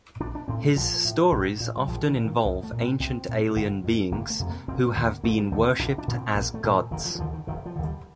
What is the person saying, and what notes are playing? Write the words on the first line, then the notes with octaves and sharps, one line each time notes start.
His stories often involve ancient alien beings who have been worshipped as gods.
A#1 D4
D4
A2 C4
A3
A#1 F3
A2
A#1
A#2
G3
A#1 F3
D3
D#3
A#2
D#3
C2
A3
A#2
C4
C2 C4
A#2
G1
F2 C3
G1 A#3
A3
F2 C3
A#3
F1 C4
A#3
D#2 D3
A#3
F1 A3
G3
D#2 D3 A3
C4
A#1 D4
D4
A#2
C4
A#1 A#3
A3
A#2
F3
F1 D#3
F3
D#3
D#2 D3 F3
D#3
F1 D#3
F3
D#2 D3
G3